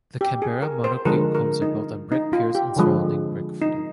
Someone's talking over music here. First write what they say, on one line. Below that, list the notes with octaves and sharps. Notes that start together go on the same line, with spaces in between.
The Canberra monocrete homes are built on brick piers and surrounding brick footing.
G4
G#4
A#4
C5
D3 F3 G#3 A#4
A#4
D#4
D#4
F4
G4
D3 F3 G#3
D#4